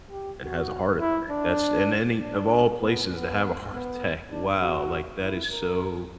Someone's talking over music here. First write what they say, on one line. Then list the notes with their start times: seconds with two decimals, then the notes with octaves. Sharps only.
and has a heart attack, that's in any of all places to have a heart attack, wow, like, that is so
0.10 G4
0.40 F#4
1.00 E4
1.31 D4
2.20 D4
2.81 B3
3.11 B3
3.71 B3
4.31 D4
4.61 F#4
5.21 E4
5.51 A#4